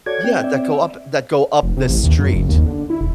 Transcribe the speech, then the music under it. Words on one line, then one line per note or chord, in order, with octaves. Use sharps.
Yeah, that go up that go up the street-
F#4 A4 C#5 D5 G#6
C4 G5
C4 D5 E5
F1
C3
A1
D#2
F#2
F#1
D#2
D3
E4
E1